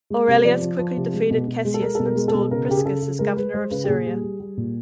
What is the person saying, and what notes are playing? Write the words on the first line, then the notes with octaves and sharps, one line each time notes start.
Aurelius quickly defeated Cassius and installed Priscus as governor of Syria.
G#3
C3
F3 D5
F3
F3
C3
G#3
B2
B2
G#3
A4
G#3 A#4
B2 A4
A#4
G#3
A4
B2
C#3 A#4
C#3 G4
G#4
C#3 A4
C#3
G#3 A#4
G#3 B4
G#3 C5
C#3 B4
G4
A#2 G#4
G3
G3
G3
A#2